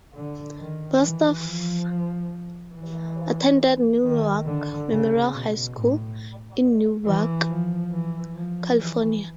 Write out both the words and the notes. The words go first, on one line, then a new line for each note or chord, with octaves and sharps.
Bostaph attended Newark Memorial High School, in Newark, California.
D3
D#3
E3
F3
E3
D#3
D3
C#3
B2
A2
E3
F3
E3
F3
E3